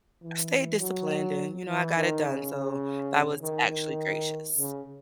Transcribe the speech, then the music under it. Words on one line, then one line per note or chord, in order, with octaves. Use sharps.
I stayed disciplined and, you know, I got it done, so that was actually gracious.
E3
F#3
E3
D#3
C#3
C#3
D#3
D#3
C#3